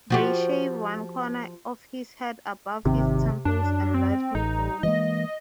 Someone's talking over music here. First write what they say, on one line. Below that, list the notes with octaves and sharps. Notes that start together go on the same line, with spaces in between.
They shave one corner of his head above his temples and let him go.
F3 F#4 G4
G#1 C3 D#3 C4
F#2 D4
C4
A1 D#4
E3 G#3 A#3 D#5